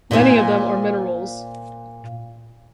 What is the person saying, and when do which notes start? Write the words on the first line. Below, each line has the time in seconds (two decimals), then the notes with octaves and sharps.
Many of them are minerals.
0.11 A#2 C5 D5 G#5